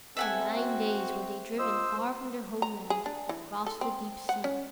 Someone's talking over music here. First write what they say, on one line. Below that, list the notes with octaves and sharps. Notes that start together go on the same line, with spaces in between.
For nine days were they driven far from their homeland, across the deep sea.
C4 A4 E5 F#5 G#5
F#4
F4 C5 D#5 E6
A#5
G#4
D4
E3
A4
C4
F#5
C#4